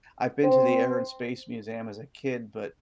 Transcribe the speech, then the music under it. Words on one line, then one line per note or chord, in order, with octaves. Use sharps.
I've been to the Air and Space Museum as a kid, but
C4